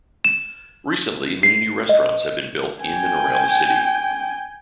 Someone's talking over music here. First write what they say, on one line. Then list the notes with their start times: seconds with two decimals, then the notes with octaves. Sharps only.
Recently many new restaurants have been built in and around the city.
0.25 E7
1.43 C7
1.89 D#5
2.84 G5 G#5